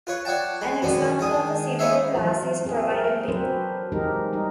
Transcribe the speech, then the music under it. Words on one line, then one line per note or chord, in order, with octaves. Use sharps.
An example of a simple class is provided below.
F4 B4 C#5
C#5 D5 F#5 G5 A5
G#3
F#2 B2 D#3 B3 D4
D#3 G#3 D#6
G#3 B3 D#4 C#5 E5 F5
E3 F#3 F4
C4 G#4 A4
A#4
F#3 C4 D4 B4 C5
E3 G#3 D#4 G4 A#4
G3 D#4